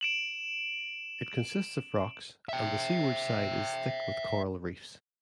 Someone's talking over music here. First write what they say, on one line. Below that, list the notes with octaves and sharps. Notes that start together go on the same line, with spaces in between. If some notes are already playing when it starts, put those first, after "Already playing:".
It consists of rocks, and the seaward side is thick with coral reefs.
D7 E7 F#7
E5 G5